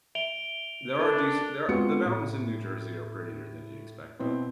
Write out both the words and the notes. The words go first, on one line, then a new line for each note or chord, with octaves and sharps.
There are decent there are the mountains in New Jersey are prettier than you expect, though.
E5 D7 F7 G7
D4 A4 A#4
G#3 B3 C4 F4 F#4 C#7
A2
B2 C4 E4